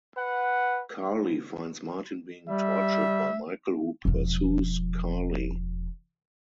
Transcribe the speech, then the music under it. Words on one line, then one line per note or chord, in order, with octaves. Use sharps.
Carly finds Martin being tortured by Michael who pursues Carly.
B4 F#5
G3 E5
E1 F3